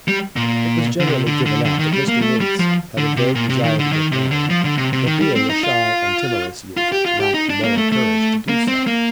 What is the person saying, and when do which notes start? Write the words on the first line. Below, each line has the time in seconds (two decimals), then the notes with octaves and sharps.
It was generally given out that Mr. Meeks had a vague desire to get married, but, being a shy and timorous youth, lacked the moral courage to do so.
0.08 G3
0.36 A#2
1.00 D3
1.07 C3
1.27 D3
1.46 D3
1.65 D3
1.79 D#3
1.93 G3
2.08 A#3
2.22 A3
2.41 G3
2.60 F3
2.98 D3
3.17 C3
3.35 A#2
3.49 C3
3.64 D#3
3.79 D3
3.92 D#3
4.12 C3
4.31 D3
4.50 F3
4.64 D3
4.78 C3
4.93 C3
5.07 D#3
5.21 G3
5.35 C4
5.50 D#4
5.63 F4
6.77 F4
6.92 G4
7.06 F4
7.20 G4
7.34 D#4
7.50 D4
7.64 A#3
7.77 A3
7.92 A3
8.49 A#3
8.68 C4
8.87 A#3